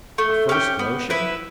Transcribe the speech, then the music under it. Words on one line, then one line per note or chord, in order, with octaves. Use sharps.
A first motion?
A3
C#4 G4
B3
E4 B4 E5